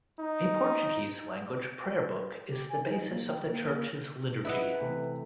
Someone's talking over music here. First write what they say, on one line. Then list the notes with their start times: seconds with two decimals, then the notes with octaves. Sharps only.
A Portuguese language Prayer Book is the basis of the Church's liturgy.
0.19 D#4
2.47 G4
2.69 G#5
2.85 D#4
3.09 A#3
3.28 G5
3.48 A#3
4.45 E4 B4 D#5 F#5
4.81 C3 E3 A3